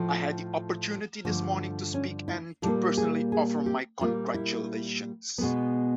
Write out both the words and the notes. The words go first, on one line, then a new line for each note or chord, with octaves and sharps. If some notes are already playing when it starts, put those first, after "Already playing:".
I had the opportunity this morning to speak and to personally offer my congratulations.
Already playing: A2 F3 A3
G2 D3 F3 A3
C#4
E4
A#2 G3 A#3 A4
G#4
G#4
G4
A#2 G3 A#3 F4
E4
B2 G#3 B3